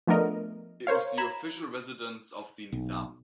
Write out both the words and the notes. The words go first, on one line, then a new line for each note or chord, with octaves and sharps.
It was the official residence of the Nizam.
F3 A3 B3 D4 A#4 D#5
A#4 C5 C#5 F5
A#5 B5 G#6 E7
B1